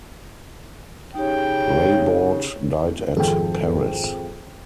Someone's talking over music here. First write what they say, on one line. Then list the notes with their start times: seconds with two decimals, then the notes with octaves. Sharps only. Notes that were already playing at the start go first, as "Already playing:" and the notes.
Reybaud died at Paris.
1.15 C#3 D#4 G4 C#5 G5
3.17 G#1 F2 G#4 A4 G5